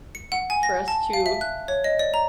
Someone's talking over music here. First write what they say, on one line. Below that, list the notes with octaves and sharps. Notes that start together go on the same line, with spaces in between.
for us to
C#7
F#5
G#5
A#6
A5
F5
E5
F#6
C#5
D#5
D5
A#5